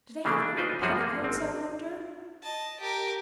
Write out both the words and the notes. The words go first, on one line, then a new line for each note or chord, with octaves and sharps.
Do they have green petticoats, I wonder?
C#3 E3 A3 A#3 D4
D4
D4 D#4 F4 B4 C5
F#2 F3 G3 F#4 G#4
A#3
G#1 C4
D#5 A5
G4 A#4